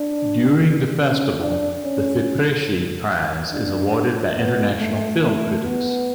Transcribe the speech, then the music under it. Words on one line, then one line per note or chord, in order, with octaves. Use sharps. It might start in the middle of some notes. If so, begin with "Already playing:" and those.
During the festival, the "Fipresci Prize" is awarded by international film critics.
Already playing: D4
C#4
D4
C#4
D4
B3
A3
A3
B3